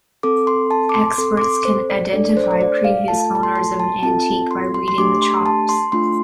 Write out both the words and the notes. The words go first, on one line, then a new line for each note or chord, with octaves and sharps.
Experts can identify previous owners of an antique by reading the chops.
C4 A4 D6
C6
A5
D6
C6
C4 A4 C6
D6
C6
C5
D5
A3 D4 A4 D5
C5
D5
C5
D5
F5
A3 F4 A4 A5
A5
A5
C6
C6
A5
C4 F4 A4 A5
C6
C6
C6
A3 D4 G4 D6
C6
A5
C6
A3 D4 F4 C6